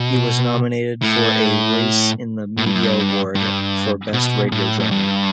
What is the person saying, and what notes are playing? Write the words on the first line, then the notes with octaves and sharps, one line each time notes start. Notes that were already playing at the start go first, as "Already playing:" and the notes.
It was nominated for a "Race in the Media Award" for Best Radio Drama.
Already playing: B2
A2
A2
G2
F#2
G2
G2
B2
A2
A2
G2